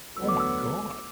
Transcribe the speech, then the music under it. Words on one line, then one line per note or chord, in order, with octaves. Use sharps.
Oh my god."
D2 D3 F#3 B3 E6
D6
E6